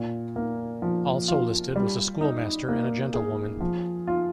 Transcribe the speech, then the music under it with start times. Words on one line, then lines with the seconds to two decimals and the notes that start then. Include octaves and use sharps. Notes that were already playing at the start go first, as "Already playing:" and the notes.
Also listed was a schoolmaster and a gentlewoman.
Already playing: A#2
0.36 A#3
0.82 F3
1.28 F4
1.76 G3
2.21 D#4
2.69 A#3
3.14 G#4
3.60 F3
4.07 F4